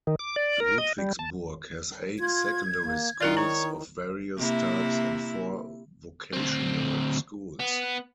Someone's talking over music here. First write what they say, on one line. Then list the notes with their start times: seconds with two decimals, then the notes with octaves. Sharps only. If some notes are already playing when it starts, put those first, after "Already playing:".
Ludwigsburg has eight secondary schools of various types and four vocational schools.
0.07 D#3
0.19 D6
0.36 D5
0.60 A#4
0.78 D#5
0.99 G3
1.19 A5
2.19 F4 G#6
2.83 A#3
3.21 D#3 E4 F4 A#4 D5
3.37 D#4 C#5
4.38 C3 A#3 E4
6.33 D2 C4
7.60 B3